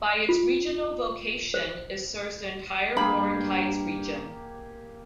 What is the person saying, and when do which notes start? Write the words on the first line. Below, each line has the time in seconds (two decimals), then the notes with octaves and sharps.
By its regional vocation, it serves the entire Laurentides region.
0.29 F4
1.54 C5
2.97 G2 A#3 G4 G#4 B5